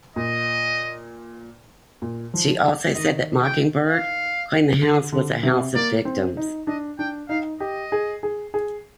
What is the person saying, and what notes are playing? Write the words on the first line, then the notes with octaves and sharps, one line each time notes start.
She also said that Mockingbird claimed the House was a house of victims.
A#2 D#5
A#2
F3
D#3 D#5
G5
F5
D3
D3
C3
A#3 D5
C4
D#4
D4 D#5
D4 G5
D#4 F5
G4 D#5
G#4
G#4
G#4